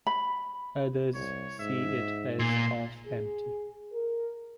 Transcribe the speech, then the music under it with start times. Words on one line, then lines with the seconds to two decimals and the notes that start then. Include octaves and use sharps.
Others see it as half empty.
0.07 B5
1.15 C2 C#5
1.59 G#2 E5
2.39 A#2 C6
3.06 G#4
3.92 A#4